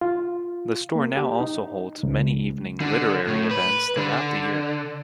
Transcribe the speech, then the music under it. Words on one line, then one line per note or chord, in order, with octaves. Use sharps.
The store now also holds many evening literary events throughout the year.
F4
A#3
G4
D#4
C#2
D3
A2
B4
D3